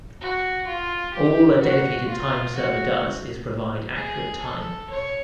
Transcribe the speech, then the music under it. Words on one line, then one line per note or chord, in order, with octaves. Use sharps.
All a dedicated time server does is provide accurate time.
F#4
F4
G4
F#4
F4
F#4
G#4
A4
C#5